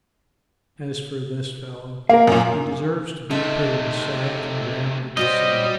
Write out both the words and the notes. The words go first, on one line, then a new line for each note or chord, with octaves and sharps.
As for this fellow, he deserves to be put in a sack and drowned in the sea.
A#3 A#4 F5
F#2 A#2
C3 A3 D#4 A4 E5
G3 C#4 F#4 C5 D#5